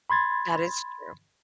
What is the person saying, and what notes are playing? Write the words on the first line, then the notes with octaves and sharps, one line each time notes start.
That is true.
B5 C6 G#6 A6